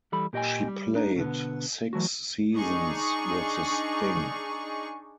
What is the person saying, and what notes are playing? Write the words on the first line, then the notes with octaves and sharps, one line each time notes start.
She played six seasons with the Sting.
E3 G3 A4 B5
A#2 G4 D#5 G5 G#5
G3
D4 D#4
B2 D3 B3
E3 F#3 A3 F#4
D4 D#4 G#4 C#6